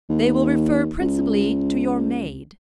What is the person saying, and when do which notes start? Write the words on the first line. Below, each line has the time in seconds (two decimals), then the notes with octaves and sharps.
"They will refer principally to your maid."
0.10 D#2
1.00 C#2